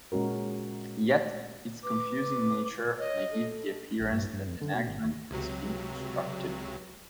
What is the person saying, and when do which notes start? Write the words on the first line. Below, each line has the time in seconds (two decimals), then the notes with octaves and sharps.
Yet its confusing nature may give the appearance that an argument has been constructed.
0.12 A#2 G#3 C#4 F#4 A#4
1.83 B4 D6
2.98 C#5 D#5
3.31 A4
4.00 A#1
4.12 G2
4.33 G2
4.47 F2
4.61 D3
4.74 B2
4.87 G#1
5.05 D#2
5.31 C#2 C3 F#3